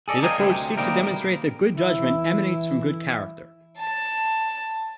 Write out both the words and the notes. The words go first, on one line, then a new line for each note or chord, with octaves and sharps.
His approach seeks to demonstrate that good judgment emanates from good character.
G#4 A4 D5 D#5
A#4 D#5 F5 G5 G#5
D2 C3
B2 D#3 G3 A#3 D#4 A#4
E3 E4
A5